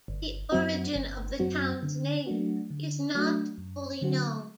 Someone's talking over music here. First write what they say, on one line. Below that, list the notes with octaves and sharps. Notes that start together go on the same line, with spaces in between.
The origin of the town's name is not fully known.
G1
F#2 F#3 C4 F#4
G1
F#2 F#3 C4 F#4
D3
F#3 A3 D4 F#4
D3
F#3 A3 D4 F#4
F#2
D3 F#3 C4 F#4